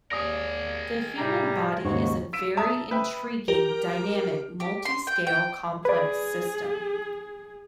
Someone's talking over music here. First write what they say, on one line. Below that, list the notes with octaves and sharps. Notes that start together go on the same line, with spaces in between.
The human body is a very intriguing dynamic multi-scale complex system.
D#2 G#4 A#4 D5 D#6 A#6
A2 C3 G3 A#5
D#2 G#2 C#3 F#4 C#5
E6 B6 D7 E7
E5 A5 A#5 D#6
B4 E5 G5
G4 A#4
G4
C6
G5
G5
G#4 B4 D5